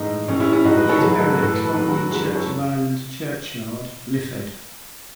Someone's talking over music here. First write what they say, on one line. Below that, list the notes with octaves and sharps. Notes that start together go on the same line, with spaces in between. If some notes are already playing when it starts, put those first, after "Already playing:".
He is buried at Clonleigh Church of Ireland Churchyard, Lifford.
Already playing: A2 E3 G#3 D#4
A2 E3 A3 C#4
C#4 E4
C#4 E4
A2 G#3 D#4 F#4
G#4 B4
A4 C#5
G#2 F#3 A3 G#4 B4
A4
B4
A2 E3 A3 A4
B4
A4
E2 D#3 F#3 A3 B4
F#4 A4
F#2 E3 G#3 G#4 B4
G#4 B4
A4 C#5